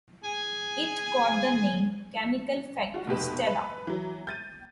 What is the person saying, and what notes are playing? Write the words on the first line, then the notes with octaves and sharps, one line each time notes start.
It got the name Chemical Factory Stella.
G#4 G#5
F4 F#4
F1 B2 G4 B4
B4
E3 F#3
G6 A6 D#7